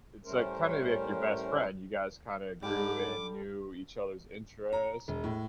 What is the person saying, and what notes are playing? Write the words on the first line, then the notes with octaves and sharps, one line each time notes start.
it's, like, kinda like your best friend. You guys kinda grew and knew each other's interests,
A2 G3 A3 C#4 A#4 C5
G#2 D3 G3 D6
A#5
E1
A2